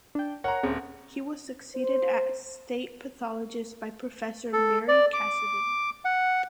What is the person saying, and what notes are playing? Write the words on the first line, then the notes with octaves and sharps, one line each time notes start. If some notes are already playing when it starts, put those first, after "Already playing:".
He was succeeded as State Pathologist by Professor Marie Cassidy.
D4 G5
A#4 C#5 F#5 A#5
D#1 C4 C#4 G#4
C5
A4
D5
D6
F#5